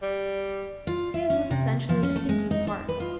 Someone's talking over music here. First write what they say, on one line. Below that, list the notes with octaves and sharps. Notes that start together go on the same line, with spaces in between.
His was essentially a thinking part.
G3
F4
E5
C#4
C3
F3
C#4
A3
G#3
D#4
D4
B4
F4